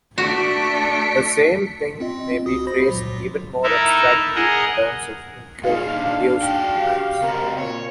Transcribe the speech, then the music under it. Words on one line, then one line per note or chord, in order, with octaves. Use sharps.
The same thing may be phrased even more abstractly in terms of induced maps.
A3 D4 F#4 B6 C#7 D7
C4 F4 D#5
C2 F#4 D#6
C5 B5 A#6
C#2 A#2 F#3
D#4 E4 A4 A#4 E5
G#4 A#4 D#5 F#5
A#2 D#4 G#4 F5
D4
F#4 G5
G4
C3 F#4 A#4
A#2 C#5